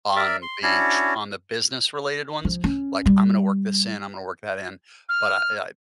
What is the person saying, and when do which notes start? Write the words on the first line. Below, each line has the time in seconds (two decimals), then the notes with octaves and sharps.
on the tr on the business related ones, like, "I'm gonna work this in, I'm gonna work that in," but I eh,
0.16 A#4 D5 E5
0.42 C6
0.63 C#4 D4 E4 F#4 C#5
2.45 F3
2.64 C#4
3.06 G3
5.09 F6